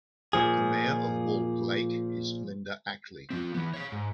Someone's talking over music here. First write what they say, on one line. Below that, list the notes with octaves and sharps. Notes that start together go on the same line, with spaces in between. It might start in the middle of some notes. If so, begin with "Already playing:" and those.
The mayor of Walled Lake is Linda Ackley.
A#2 F3 G#4
F3 C4
E3 B3
C#5 F5
G#2